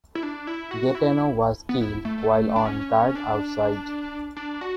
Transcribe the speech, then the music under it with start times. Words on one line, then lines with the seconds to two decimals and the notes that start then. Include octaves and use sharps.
Gaetano was killed while on guard outside.
0.15 E4
0.23 D4
0.47 E4
0.71 F#4
0.95 E4
1.69 B3
1.81 E4
2.05 A3
2.18 A3
2.56 D4
2.65 C#4
3.15 D4
4.36 D4
4.61 F#4